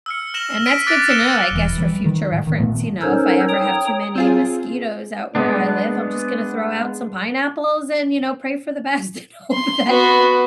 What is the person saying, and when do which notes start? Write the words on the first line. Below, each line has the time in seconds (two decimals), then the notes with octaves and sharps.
And that's good to know, I guess, for future reference, you know, if I ever have too many mosquitoes out where I live, I'm just gonna throw out some pineapples, and, you know, pray for the best, and hope that
0.06 E6 F6 C#7
0.34 F6 A#6 E7 F#7
0.66 A#6 B6 D7 D#7 F#7
0.87 D6 F#6 A6 B6 D7
1.08 E6 F#6 C#7 D7 E7 G7
1.51 E1 E3
1.78 E3 G3
2.06 D#3
2.32 A2
2.47 D#3
2.60 A#2 A3 B3
3.01 C#4 D#4 A4 A#4 C5 C#5
3.49 C#5 G5 A#5 D#6
4.16 C4 F4 G#4
5.35 G#3 B3 D4
9.53 C6
9.88 B3 F#4